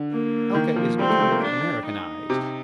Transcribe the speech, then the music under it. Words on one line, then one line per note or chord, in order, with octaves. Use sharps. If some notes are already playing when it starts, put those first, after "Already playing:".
Alca is becoming Americanised.
Already playing: D3
A#3
D#3
F3
G3 C4
A3
A3
A#3
D4
D#4
C3